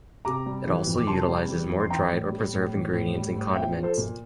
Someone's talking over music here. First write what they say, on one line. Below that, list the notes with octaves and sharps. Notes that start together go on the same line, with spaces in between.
It also utilises more dried or preserved ingredients and condiments.
C3 A#5 D6
G3
E3
F2
D6
C3 A5 C6
G3
E3
F2
C6
E3 G5 A#5
A2
G3
A2
E3
A2
G3
A2
F3 E5 G5
F3
A4 C5
A#2